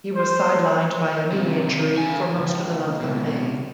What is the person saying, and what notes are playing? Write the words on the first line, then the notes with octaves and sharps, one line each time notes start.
He was sidelined by a knee injury for most of the month of May.
C5
C3 D#3
D3 G#5
C#2 F#2
C#2 B2